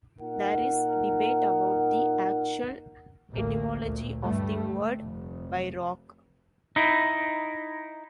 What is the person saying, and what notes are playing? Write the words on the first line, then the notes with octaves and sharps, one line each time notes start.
There is debate about the actual etymology of the word "bierock".
A#2 D#4 A#4 F#5
A1 D2 A#3
D2 A#2
G2 G3 A3
F1
D#4 E4